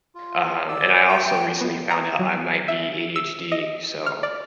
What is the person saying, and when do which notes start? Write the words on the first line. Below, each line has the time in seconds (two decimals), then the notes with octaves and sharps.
um and I also recently found out I might be ADHD, so,
0.15 F4
0.68 D5 E6
1.08 F#4 G5
1.61 B3
1.91 A#5
2.19 F#3
2.68 E5
3.16 E6
3.52 D#5
4.06 F6
4.23 D5